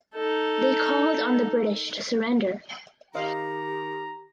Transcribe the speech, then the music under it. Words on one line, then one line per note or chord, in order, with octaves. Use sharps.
They called on the British to surrender.
D#4 A4
D#3 G4 C5 D#5 F5 A#5